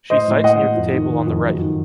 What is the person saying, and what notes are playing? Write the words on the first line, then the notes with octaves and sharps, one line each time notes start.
She sites near the table on the right.
A2 C5 D#5
A2
A2 D#5 F#5
A2
F2
D#3
D#3
F2
F#2
D#3